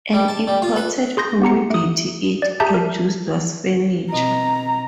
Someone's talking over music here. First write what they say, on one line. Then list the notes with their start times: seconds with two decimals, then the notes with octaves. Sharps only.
An important commodity it produced was furniture.
0.13 G3
0.28 A5
0.47 G3
0.62 F4
0.76 B4
1.17 G#4 C6 G6 A#6
1.42 B3 G4 A#5 C#7
1.70 A3 D#6
2.42 D5
2.60 G4 G#4 E5 A5 A#5 G6
2.74 A#4
4.12 B2 C4 D#5 A#5